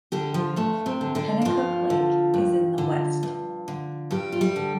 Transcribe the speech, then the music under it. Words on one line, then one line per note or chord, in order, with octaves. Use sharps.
Penacook Lake is in the west.
D3 G3 G4
F3 F4
G2 A3
C3 C4
D3
D3 D4
D4
G2 F3 F4
D3
G2
D3
G2
D3
G2 G3 G4
F4
G3 G4
D3